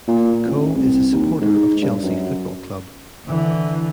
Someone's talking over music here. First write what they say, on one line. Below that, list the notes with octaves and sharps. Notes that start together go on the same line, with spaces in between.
Coe is a supporter of Chelsea Football Club.
A#2
A1
C2
D#2
G#2
G2
F#2
D3 E3